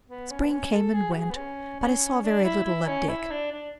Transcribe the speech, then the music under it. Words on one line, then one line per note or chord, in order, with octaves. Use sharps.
Spring came and went, but I saw very little of Dick.
B3
C#4
B3
C#4
A4
G#4
F#4
G#4
B3
C#4
C#4
D4
E4
E4
C#4
E4
D4
D4